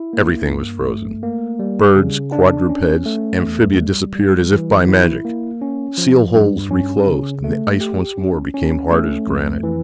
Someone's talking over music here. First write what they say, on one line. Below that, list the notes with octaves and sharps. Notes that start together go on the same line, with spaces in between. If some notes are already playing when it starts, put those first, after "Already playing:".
Everything was frozen--birds, quadrupeds, amphibia disappeared as if by magic; seal-holes reclosed, and the ice once more became hard as granite.
Already playing: E4
A#3
G2
A3
A#3
G3
C#3
D4
C#4
A3
E2
G3
G3
E3
E4
A#3
C#4
F3
G2
C#4
C#3
A3
G4
C#4
C#4
A3
F2
E3